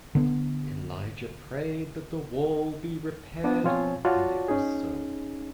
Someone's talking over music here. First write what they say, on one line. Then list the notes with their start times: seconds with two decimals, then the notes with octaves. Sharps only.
Elijah prayed that the wall be repaired and it was so.
0.15 D3 B3
3.44 B3 D4
3.64 B2 F3 C4 F4 C#5 G#5
4.05 F4 F#4 C#5 D5 A5
4.48 C#4 D#4 G#4